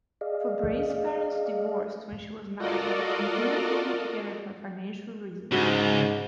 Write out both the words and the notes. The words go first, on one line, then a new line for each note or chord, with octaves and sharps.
Fabray's parents divorced when she was nine, but continued living together for financial reasons.
G#4 D5 D#5 F5
F4 F#4 A4 A#4 D5 D#5
C#2 G#2 C#3 F#4